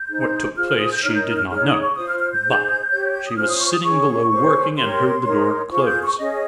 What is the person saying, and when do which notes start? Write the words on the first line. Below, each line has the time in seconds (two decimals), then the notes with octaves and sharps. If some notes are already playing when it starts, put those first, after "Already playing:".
What took place she did not know, but she was sitting below working, and heard the door close.
Already playing: G6
0.09 D#4 G#4 C5
0.56 F4 G#4 C5 F6
0.68 F6
0.79 D#6
0.91 G6
1.02 D#4 A#4 C#5 F6
1.15 G6
1.26 F6
1.37 F6
1.49 D#4 G#4 C#5 F6
1.65 D#6
1.81 C#6
1.96 F4 C5 D#6
2.08 F6
2.19 F6
2.32 G6
2.43 D#4 G#4 C5
2.90 G4 C#5
3.27 D#6
3.36 C#4 F4 C5 F6
3.48 D#6
3.60 C#6
3.72 D#6
3.83 C#4 G#4 C#5 C#6
4.30 C#4 G#4 C5
4.77 G4 A#4 C#5 C6
5.24 D#4 A#4 C#5
5.71 F4 G#4 C5 C#6
5.86 G6
6.02 C#6
6.18 C#4 G#4 C#5 D#5